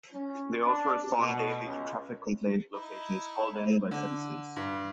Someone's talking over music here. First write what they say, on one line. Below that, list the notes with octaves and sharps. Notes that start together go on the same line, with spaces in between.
They also respond daily to traffic complaint locations called in by citizens.
C#4
D4
B2
C#2
D#4 E4
D3
G2